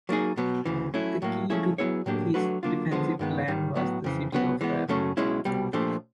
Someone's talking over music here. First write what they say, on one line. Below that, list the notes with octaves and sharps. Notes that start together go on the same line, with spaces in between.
The key to his defensive plan was the city of Raab.
F#3 A#3 D#4 G#4
B2 F#3 B3
D2 C#3 E3
F#3 A3 C#4 E4
A2 F#3 A#3
F3 A3 C#4 E4 G#4
F#3 B3 E4 G#4 C#5
A2 F#3 A#3 D4 G4
F#3 A3 D4 F#4 B4
F#3 A#3 D4 F4
D3 F3 G#3 B3
G2 D#3 G#3 B3
G#2 D#3 G3
A2 F#3 B3
F2 C#3 E3
C2 B2 F#3 B3
E3 G#3 B3
F#2 C#3 F#3 A3 C#4
B1 B2 G#3 C#4 E4
C2 B2 G3
A#2 F3 A3 D4 G4